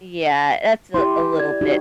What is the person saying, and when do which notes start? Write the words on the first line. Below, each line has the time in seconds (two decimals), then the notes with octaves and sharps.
Yeah, that's a a little bit,
0.94 E4 G4 C6
1.38 D5 G#6
1.61 D#4 F#4 G4